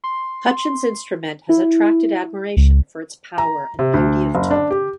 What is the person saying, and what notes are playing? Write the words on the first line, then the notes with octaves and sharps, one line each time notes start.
Hutchins's instrument has attracted admiration for its power and beauty of tone.
C6
E4
C#2
A#5
C3
D2
F#1
D4
G4